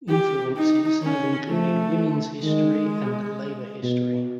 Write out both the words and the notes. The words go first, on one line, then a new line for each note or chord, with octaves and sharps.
Influences have included women's history and labour history.
G4
D#4
D#3 C#4
F3 A3
D#3 G#3
B2